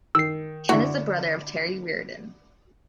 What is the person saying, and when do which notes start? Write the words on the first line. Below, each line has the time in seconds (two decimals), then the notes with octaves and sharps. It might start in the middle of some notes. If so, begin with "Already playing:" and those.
Ken is the brother of Terry Reardon.
0.15 D#3 E6 C7
0.69 D3 E4 F#4